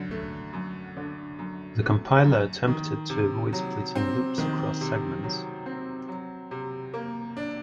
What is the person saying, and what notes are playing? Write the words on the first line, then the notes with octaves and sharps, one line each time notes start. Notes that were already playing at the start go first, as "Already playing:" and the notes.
The compiler attempted to avoid splitting loops across segments.
Already playing: F#2 D3
A3
F#2
D3
F#2
A3
F#2
D#3
C3
F#3
C4
D#3
C3
F#3
C4
F#3
C3
A#3
D4